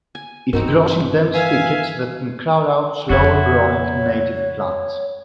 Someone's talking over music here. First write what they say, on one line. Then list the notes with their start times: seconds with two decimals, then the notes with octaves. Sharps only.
It grows in dense thickets that can crowd out slower growing native plants.
0.15 G#5
0.53 G2 E3 C4 D#4 F#4 A#4
1.34 B4 E5 F5 G#5
3.09 F2 C#3 E4 F#4 C#5